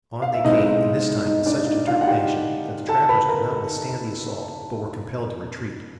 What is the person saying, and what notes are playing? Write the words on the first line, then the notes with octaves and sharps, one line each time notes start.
On they came, and this time with such determination that the trappers could not withstand the assault, but were compelled to retreat.
F5
E5
B1 B2 G#3 C4 D#4 E4 D#5
D#4 D#5
D4 D5
D#4 D#5
F4 F5
F#5
G4 G5
A4 A5
B4 B5
A#4 A#5